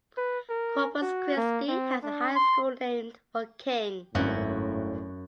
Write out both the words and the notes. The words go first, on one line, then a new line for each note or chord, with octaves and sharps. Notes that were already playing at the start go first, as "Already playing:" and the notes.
Corpus Christi has a high school named for King.
B4
A#4
F#4
A#3
C4
D4
C6
G#1 F#2 A2 E4 F#4